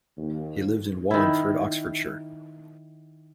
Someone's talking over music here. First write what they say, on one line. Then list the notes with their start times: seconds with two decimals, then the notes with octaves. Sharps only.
He lived in Wallingford, Oxfordshire.
0.18 D#2
1.11 D#3 E4